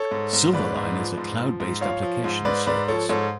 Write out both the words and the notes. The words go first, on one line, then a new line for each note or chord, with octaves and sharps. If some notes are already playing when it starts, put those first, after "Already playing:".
Silverline is a cloud-based application service.
Already playing: A4 C#5
G#2
G#2
G#2 B4 D5
G#2
F3
G#2
F3
G#2
F3 C#5 F5
F3
G#2
G#2 B4 D5
G#2 B4 D5
F3 A4 C#5
G#2 A4 C#5